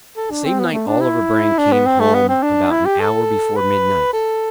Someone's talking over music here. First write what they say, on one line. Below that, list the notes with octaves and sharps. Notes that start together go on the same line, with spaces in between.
The same night Oliver Brand came home about an hour before midnight.
A4
D4
C4
B3
A3
D4
E4
D4
B3
C4
A3
B3
C4
D4
E4
G4
A4
B4
A4